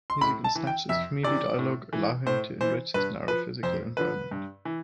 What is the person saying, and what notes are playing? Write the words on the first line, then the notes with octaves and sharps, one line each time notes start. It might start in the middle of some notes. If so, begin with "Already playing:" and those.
Music and snatches of movie dialogue allow him to enrich his narrow physical environment.
C6
A2 B5
A5
E3
G5
F2 E5
C3 E3 D5
A2
E3
A2 C5
E3 C5
G2 B4
F3 B4
F2 C5
D3 F3 B4
G2
E3